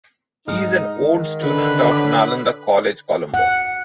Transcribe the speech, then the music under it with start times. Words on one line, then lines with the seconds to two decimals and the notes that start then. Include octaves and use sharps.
He is an old student of Nalanda College Colombo.
0.48 G#2 D#4 F6
1.01 D#3
1.43 D3 B4
1.91 C#5 F#5 D6
3.34 F#5